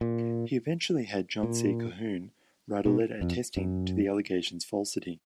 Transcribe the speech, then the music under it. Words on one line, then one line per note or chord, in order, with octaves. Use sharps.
He eventually had John C. Calhoun write a letter attesting to the allegation's falsity.
A#2
A#2
B2
F2
F#2